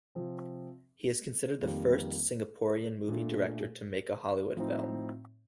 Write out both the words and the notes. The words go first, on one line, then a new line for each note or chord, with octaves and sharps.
He is considered the first Singaporean movie director to make a Hollywood film.
C3 F3 C4
F2 D#3 G3 A#3
A#2 A3 D4
A2 F3 C4 D#4